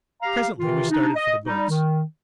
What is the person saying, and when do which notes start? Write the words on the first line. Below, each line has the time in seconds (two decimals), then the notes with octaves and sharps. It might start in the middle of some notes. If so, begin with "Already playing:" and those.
Presently we started for the boats.
0.22 G4 F5 A#5
0.56 C3 D#3 E3 F4
0.90 D4 D#4
1.16 D#5
1.46 G3 D#4
1.69 D#3